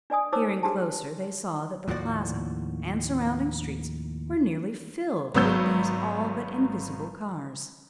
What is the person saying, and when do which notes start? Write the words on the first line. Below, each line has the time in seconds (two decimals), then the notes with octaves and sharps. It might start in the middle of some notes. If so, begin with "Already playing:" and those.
Peering closer they saw that the plaza and surrounding streets were nearly filled with these all but invisible cars.
0.10 D4 D5 G#5 D#6
0.33 D#4 C5 C#5 D6 E6
0.63 D4 G4 G#4 A5
1.88 D#2 A2 F3 F#4 D5
5.34 G#1 F#3 B3 E6 G6